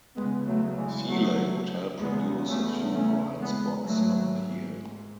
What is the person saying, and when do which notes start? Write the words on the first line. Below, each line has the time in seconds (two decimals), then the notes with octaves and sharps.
Feeley would help produce a few bright spots on the year.
0.16 E2 C#3 G#3 B3
0.47 F#3 A3
0.77 E3 G#3
1.08 F#3 A3
2.00 E2 C#3 G#3 B3
2.47 A3 C#4
2.93 A3 C#4
3.39 G#3 B3
3.85 G#2 F#3 A3